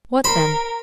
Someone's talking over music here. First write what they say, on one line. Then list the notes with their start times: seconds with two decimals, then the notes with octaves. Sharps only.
"What then?"
0.24 A#4 C5 B5